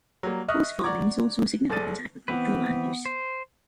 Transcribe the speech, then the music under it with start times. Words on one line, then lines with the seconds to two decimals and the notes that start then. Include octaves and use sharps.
Horse farming is also a significant agricultural land use.
0.23 F#3 G3 A#3
0.48 D#5 E5 C#6 D#6 F6 F#6
0.83 D5 F#5 A#5 C#6 D6 G#6
1.70 F#1 G#4 A4 D5 A6 D#7
2.28 E3 B3 C4 B4
3.05 C5